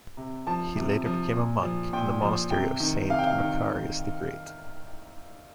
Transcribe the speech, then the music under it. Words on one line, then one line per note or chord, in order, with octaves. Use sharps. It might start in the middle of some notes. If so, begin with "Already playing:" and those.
He later became a monk in the Monastery of Saint Macarius the Great.
C3
F3 A5
C3
F3
A#2
F3
A#2 G5
F3
C3 G5
D#3
C3 F5
G5
F5
D#3